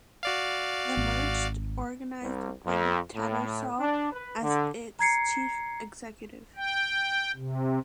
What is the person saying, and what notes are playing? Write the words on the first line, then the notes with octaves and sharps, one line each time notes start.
The merged organised appointed Tattersall as its chief executive.
F#4 D5 F5
G#1
C2
F2
A2
D4
B4
D3
A#5 G#6 C7 C#7
G5
C3